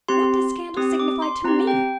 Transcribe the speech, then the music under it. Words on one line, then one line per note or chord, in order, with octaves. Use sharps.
What does scandal signify to me?
C4 G4 C6
C4 G4 D#6
D6
C6
C4 G4 A#5
G5